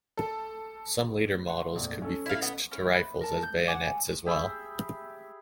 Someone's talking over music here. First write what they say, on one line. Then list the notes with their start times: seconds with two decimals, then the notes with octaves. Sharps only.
Some later models could be fixed to rifles as bayonets as well.
0.17 A4
1.47 F#5 C6
1.75 F1 A#1
2.02 C#4 A4
2.26 E4 F5
2.42 B3 D#5
2.71 C#4 E4
2.93 B4
3.21 A#4 A5
3.43 G6
3.68 F#5 G#5 D6
4.26 G4 G#4 E5 B5